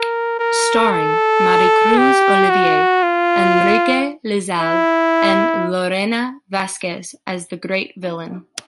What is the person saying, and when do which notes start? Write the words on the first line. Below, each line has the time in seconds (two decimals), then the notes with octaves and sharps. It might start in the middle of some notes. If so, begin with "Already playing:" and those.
Starring Maricruz Olivier, Enrique Lizalde and Lorena Velázquez as the great villain.
Already playing: A#4
0.39 A#4
0.92 A4
1.98 G4
2.50 F#4
3.03 F4
4.61 E4